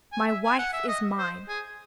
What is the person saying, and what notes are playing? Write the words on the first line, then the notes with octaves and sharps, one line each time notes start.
My wife is mine.
G#5
E5
G#5
F#5
E5
D#5
C5
G#4